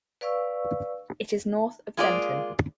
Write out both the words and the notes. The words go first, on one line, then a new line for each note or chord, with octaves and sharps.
It is north of Denton.
B4 D5 F5 C#6 E6
G#3 A#3 F4 G#4 A4 D5